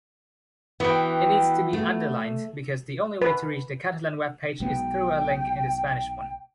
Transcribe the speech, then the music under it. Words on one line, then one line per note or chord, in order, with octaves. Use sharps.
It needs to be underlined, because the only way to reach the Catalan webpage is through a link in the Spanish one.
E3 B3 F#4 G5
A3
B4
B1 G#3 B3 G5